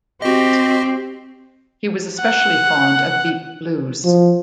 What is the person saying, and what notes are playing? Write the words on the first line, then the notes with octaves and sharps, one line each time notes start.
He was especially fond of deep blues.
C4 F#4 G4 D#5
F#5
F3